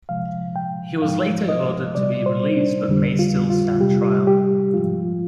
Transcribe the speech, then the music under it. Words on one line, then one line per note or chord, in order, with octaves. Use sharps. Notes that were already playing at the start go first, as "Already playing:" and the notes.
He was later ordered to be released but may still stand trial.
C3 F3 G#3 F5
G5
G#2 F3 G#3 F5
D#5
C3 G3 D5
C5
D4
F2 D3 G3
F4
F4
C3 G3 G4
G4
G#2 F3 G#3 F4